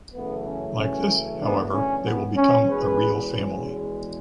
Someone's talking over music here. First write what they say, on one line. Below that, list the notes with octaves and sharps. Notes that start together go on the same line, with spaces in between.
Like this, however, they will become a real family.
F#2 C#3 E3 A3 B3
C#4
C#4
B3 D4
C#4
B3
C#4
E2 B2 G#3 G#4 B4
C#4